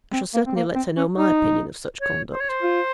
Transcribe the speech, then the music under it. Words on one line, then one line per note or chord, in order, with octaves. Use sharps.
I shall certainly let her know my opinion of such conduct.'
C4
A#3
C4
A#3
C4
C#4
D#4
C#5
C5
C#5
C5
F4